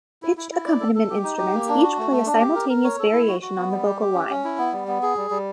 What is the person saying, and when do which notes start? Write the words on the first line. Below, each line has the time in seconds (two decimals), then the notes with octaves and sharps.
Pitched accompaniment instruments each play a simultaneous variation on the vocal line.
0.22 E4
0.37 E4
0.52 E4
0.66 D5
0.80 A4
0.95 A4
1.10 G4
1.24 D#4
1.38 G4
1.53 A#3
1.68 D4
1.83 F#4
1.98 A3
2.11 A3
2.26 D4
2.41 G4
2.56 A#4
2.69 A#4
2.84 C#5
2.99 A4
3.13 E4
3.28 F#4
3.42 F#4
3.57 B3
3.71 G3
3.86 G4
4.01 G4
4.15 C#4
4.29 C#4
4.44 E4
4.58 B3
4.72 G3
4.88 B3
5.03 G#4
5.17 G3
5.31 G3